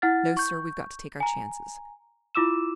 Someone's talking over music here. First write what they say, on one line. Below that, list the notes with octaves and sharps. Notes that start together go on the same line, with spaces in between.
No, sir--we've got to take our chances.
E4 F#5 F6 A6
C#6 G6
G#5 A#5
E4 F4 D6 E6 E7